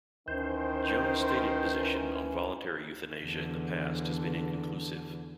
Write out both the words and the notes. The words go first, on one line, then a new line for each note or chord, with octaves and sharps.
Jones's stated position on voluntary euthanasia in the past has been inconclusive.
D2 D#3 E3 C#4 C5
E2 D3